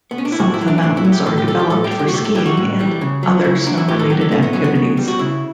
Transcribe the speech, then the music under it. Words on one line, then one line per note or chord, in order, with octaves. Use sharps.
Some of the mountains are developed for skiing and other snow-related activities.
B3
C#4
D4
E4
A2 F#4
E4
F#3
D4
C#4
A2 D4
E4
F#3
G4
A2 A4
G4
G3 A4
G4
A2 A4
G4
G3
G4
F#4
A2 G4
A4
E3 G3 G4
F#4
A2
E3 G3
C#3
F#3
C#3 E4
E4
F#3 D4
E4
A2 G4
A4
F#3 G4
A4
A2 B3
B3
F#3 C#4
B3
C#3
G3
F#4
C#3 E4